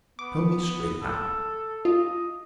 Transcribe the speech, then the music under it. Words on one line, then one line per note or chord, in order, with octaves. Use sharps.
Tell me straight, now!
B3 D6
A4
F4 D#5